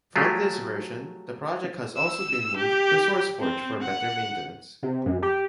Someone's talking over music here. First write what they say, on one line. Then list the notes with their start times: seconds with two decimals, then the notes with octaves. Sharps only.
From this version, the project has also been moved to SourceForge for better maintenance.
0.16 F#3 A3 F4 G4 G#4
1.97 E6
2.57 G4
3.40 C4
3.82 F#5
4.83 C3
5.06 F#2
5.22 G4